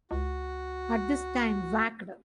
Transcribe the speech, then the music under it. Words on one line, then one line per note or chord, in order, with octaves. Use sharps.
At this time Whacked!
C#2 F#4